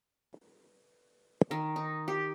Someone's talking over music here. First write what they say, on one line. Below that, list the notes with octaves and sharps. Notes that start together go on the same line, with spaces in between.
These images are deposited with other offerings by the roadside.
D#3
D#4
G4